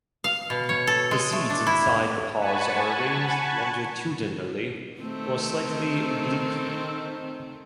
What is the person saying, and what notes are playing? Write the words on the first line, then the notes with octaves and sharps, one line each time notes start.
The seeds inside the pods are arranged longitudinally or slightly obliquely.
F5
B2
C#5
A4
G#3
A3
D4
E4
F#5 G#5 A5 B5 C#6
D#3 A3 C4